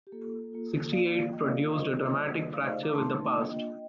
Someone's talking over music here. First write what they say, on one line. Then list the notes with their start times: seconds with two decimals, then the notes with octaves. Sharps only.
Sixty-eight produced a dramatic fracture with the past.
0.07 G4
0.12 A#3 F4 A4
0.53 A#3 F4
0.92 A#3 F4 D5 F5
1.33 A#3 F4 D#5 G5
1.46 D5 F5
1.60 D5 F5
1.73 G3 A#3 D4 F4 C5 D#5
2.13 G3 A#3 D4 F4
2.53 A3 D#4 D5 F5
2.63 C5 D#5
2.73 D5 F5
2.83 A#5 D6
2.93 A3 D#4 A5 C6
3.25 A5
3.33 A#3 D4 F4 D#5 G5